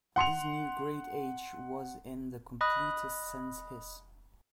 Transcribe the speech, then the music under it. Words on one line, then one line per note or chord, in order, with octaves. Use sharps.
This new great age was in the completest sense his.
F#5 C6 C#7 F7
D#5 B5 D#6 F#6